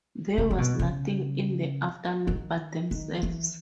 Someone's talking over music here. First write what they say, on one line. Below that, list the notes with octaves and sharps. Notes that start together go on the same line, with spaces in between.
There was nothing in the afternoon but themselves.
C#3
C#3
B2
C#3
D#3
D#3
E3